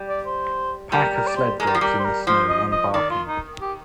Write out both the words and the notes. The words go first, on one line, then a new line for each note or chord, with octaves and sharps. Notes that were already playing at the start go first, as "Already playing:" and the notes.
Pack of sled dogs in the snow, one barking.
Already playing: G3
D5
C5
G3 A#4
A#4
D5
C5
G#3 A#4
G3
F3
G3 A#4
C5
A#4
F3 C5
D#5
D#5
D#3 D5
F4
D#4
G4